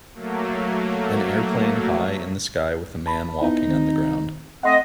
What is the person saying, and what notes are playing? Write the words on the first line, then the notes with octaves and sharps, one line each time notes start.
An airplane high in the sky with a man walking on the ground.
F#3 A3 A#3
A5 B5
B3 D#4 E4
D#3 C4
A3 C4 D#5 F#5 C6